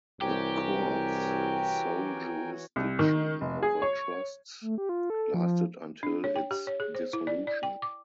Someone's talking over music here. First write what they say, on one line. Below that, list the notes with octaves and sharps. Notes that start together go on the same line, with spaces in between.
The court's sole jurisdiction over trusts lasted until its dissolution.
C2 E3 F#4 G4 A#4 C#5 G5 G#5
C2
D#3
F1
G#4
C#5
A3
G4
F4
A4
A4
F3
D4
C#5
G5
G4
C#5
G#4
C5
E4
D5
D5
G5
D6